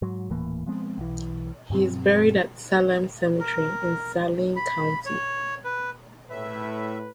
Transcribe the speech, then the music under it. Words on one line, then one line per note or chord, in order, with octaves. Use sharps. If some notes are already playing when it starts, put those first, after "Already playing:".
He is buried at Salem Cemetery in Saline County.
G#2 F#3
D#1 A2 E3 A#3
F3 G#3 B3 C4
B1 E3
G2 B2 F#3 C4
A#4
B5
C#5
B4
A2 B4 E5